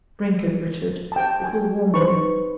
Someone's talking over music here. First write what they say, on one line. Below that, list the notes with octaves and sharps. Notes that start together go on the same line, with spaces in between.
"Drink it, Richard, it will warm you."
G5 A5
G#5
D#4 B4 C5 C#6